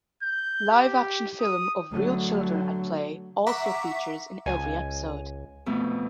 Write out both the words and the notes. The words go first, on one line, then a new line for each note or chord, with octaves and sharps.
Live action film of real children at play also features in every episode.
G6
G4
D#6
D3 F#3 A3
E5 F#5 A#5 C#6 D6 B6
C#2 G#5
F2 B2 A3